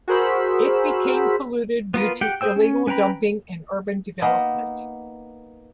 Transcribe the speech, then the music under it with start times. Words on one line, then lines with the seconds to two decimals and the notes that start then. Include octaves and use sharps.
It became polluted due to illegal dumping and urban development.
0.08 F#4 G#4 A#4 C5 B5 E6
1.94 B3 F4 A#4 B4
2.21 G4 F#5 G5
2.41 G#4 C5 G5 E6
2.56 C#4
2.87 C#4 B4 G5 A#5 B5
4.22 A#3 B3 D#4